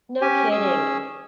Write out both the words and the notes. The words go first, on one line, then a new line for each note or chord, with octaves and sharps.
No kidding.
C#4 G4 G#5
C#4 G#4 E6